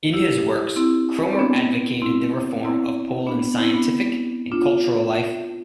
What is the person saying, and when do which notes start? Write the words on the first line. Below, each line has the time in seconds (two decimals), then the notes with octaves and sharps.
In his works, Kromer advocated the reform of Poland's scientific and cultural life.
0.14 E4 G4
0.76 C4 E4
1.33 C4
1.39 B3 D4
2.02 C4 E4
2.64 C4 E4
3.27 B3 D4
3.42 B3 D4
3.58 C4 E4
3.74 B3 D4
4.52 D4 F4